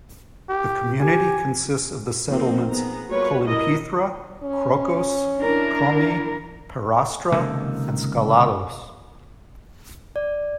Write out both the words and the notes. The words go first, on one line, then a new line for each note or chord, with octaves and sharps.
The community consists of the settlements Kolympithra, Krokos, Komi, Perastra and Skalados.
G4
G4 G#5
F3 A#3 C4 D#4
B3 G#4 A#5
G3 A#3 F4 F#4 B4 C#5
B3 E4 A#4 D#5
C#4
D4 E4 A#4
C#2 C3 D#3 A#3 D#4 A4
D5